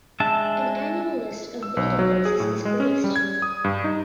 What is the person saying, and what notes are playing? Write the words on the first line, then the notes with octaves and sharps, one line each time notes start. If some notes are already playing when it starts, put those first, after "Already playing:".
An annual list of bathing places is produced.
G#3 D4 E5 A5
E6
B1
F#3
G#4
A2
G#3
C#4
G3
G#6
D#6
G2
D#4